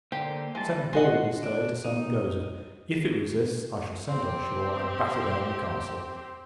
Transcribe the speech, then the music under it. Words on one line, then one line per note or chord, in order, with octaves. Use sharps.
I have sent Ball, this day, to summon Goza; if it resists, I shall send on shore, and batter down the castle.
D3 A#3 G4 C5
E3 G3 G#3 A5
G#3 F#4 C5 D#5 F#5
D4
D#4
C4 G4